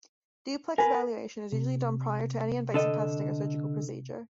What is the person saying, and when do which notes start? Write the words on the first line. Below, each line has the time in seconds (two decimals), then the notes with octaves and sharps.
Duplex evaluation is usually done prior to any invasive testing or surgical procedure.
0.78 A#4 B4 G#5
1.52 C3
2.74 D3 A4 D#5